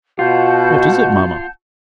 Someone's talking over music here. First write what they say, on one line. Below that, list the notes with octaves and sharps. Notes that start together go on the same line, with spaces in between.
"What is it, mama?"
B2 F4 F#4 F#5 A5 G6